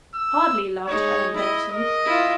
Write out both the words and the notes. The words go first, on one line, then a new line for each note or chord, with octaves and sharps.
"Hardly," laughed Helen Burton.
E6
G#3 D#4 C#5
E4 D#5
A#4 D#5
E4 F4